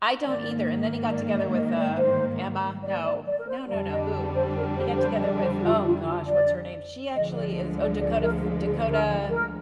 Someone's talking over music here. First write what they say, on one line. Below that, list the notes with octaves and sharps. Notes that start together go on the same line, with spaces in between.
I don't either, and then he got together with, um, Emma. No, no, no, no. Who? He got together with, oh gosh, what's her name? She actually is oh, Dakota F Dakota,
G#2 D#3 A#3 D5
D5
D#5
D#5
D#5
D5
C5
D5
D5
D5
A#4
C5
F2 D3 G3 D4 D5
D#5
C5
A#4
C5
C5
D5
C5
G4
F4
F4
F4
D5
D2 D3 F3 G#3 D#5
D5
D5
D5
A#4
G#4
G#4
A#4
A#4